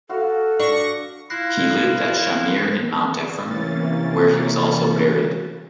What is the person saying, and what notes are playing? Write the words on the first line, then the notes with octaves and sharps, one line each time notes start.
He lived at Shamir in Mount Ephraim, where he was also buried.
F#4 A4 F5
D4 C#6 A#6
E4 F4 F#6 A#6 C7
C3 E3 A#3 C#4 A6